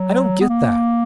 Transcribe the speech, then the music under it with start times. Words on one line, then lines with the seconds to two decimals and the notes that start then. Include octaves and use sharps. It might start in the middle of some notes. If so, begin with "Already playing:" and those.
"I don't get that."
Already playing: F#3
0.41 B3
0.49 A#3